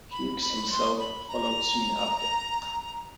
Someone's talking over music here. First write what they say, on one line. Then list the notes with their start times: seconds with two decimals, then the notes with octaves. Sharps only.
Hughes himself followed soon after.
0.11 B5
0.41 B5
0.71 C6
0.99 B5
1.28 A#5